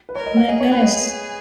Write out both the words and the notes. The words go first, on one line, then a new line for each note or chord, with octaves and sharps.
Oh my gosh.
B4
A#4 C#5
D#5
F#5
G#4 D#5
C#5
B4
D#5